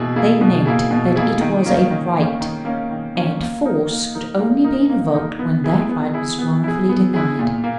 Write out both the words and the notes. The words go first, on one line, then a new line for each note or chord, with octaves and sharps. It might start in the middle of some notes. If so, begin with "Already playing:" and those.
They meant that it was a right; and force could only be invoked when that right was wrongfully denied.
Already playing: B2 A#3 E4 G#4
A#3 E4 G#4
B2
A#3 E4 G#4
B2
A#3 E4 G#4
D#3
A#3 C#4
D#3
A#3 C#4
D#3
A#3 C#4
D#3
A#3 C#4
A#3
D#4 A#4
A#3
D#4 A#4
A#3
D#4 A#4
A#3
D#4 A#4
B3
E4 G#4
B3
E4 G#4
B3
E4 G#4
B3
E4 G#4
A#2
A#3